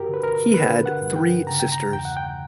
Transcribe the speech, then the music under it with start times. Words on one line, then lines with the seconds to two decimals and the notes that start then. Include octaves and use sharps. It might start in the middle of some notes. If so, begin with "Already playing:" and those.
He had three sisters.
Already playing: G2 F#4 G4 A#4
0.09 D3 B4
0.24 A#4
0.54 D3 B4
0.86 F#5
1.01 G2
1.16 G5
1.47 C#3 A#5
1.60 G5
1.72 A#5
1.93 E2 G5
2.05 F#5
2.17 G5